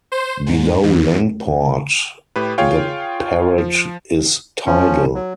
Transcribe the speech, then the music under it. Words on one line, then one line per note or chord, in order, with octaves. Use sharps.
Below Langport the Parrett is tidal.
C5
G#2
E2
A2 G4 B4
F4 G#4 C#5 F5 G5
F3
F3 C#4
F#3